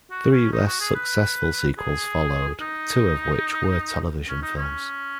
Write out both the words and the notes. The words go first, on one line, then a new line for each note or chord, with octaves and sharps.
Three less successful sequels followed, two of which were television films.
F#4
C#4
D#4
F#4
G#4
B4
G#4
D#4
C#4
D#4
C#4